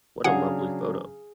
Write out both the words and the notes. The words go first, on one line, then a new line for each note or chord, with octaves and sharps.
What a lovely photo.
C#3 F#3 D4 G#4 F5 F#5